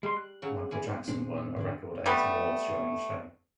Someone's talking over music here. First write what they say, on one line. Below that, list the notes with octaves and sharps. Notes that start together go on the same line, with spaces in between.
Michael Jackson won a record eight awards during the show.
G3 G#3 C6
F#6
C#3 F#3
E3 G#4
A#2 G#3 C4 D4
G#2 D3 D4
G3 A3 B3